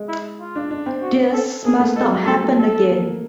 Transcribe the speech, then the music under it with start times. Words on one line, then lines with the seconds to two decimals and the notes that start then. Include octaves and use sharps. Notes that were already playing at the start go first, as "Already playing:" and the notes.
This must not happen again.
Already playing: G#3
0.08 E4
0.40 F4
0.56 D4
0.71 D4
0.86 C4
1.02 F#4
1.33 A4
1.65 A#3 G#4
1.80 A3
1.96 G#3 A4
2.04 F#3
2.11 G3
2.26 A3 A4
2.42 A#3
2.58 A4
2.89 A#3
3.05 A3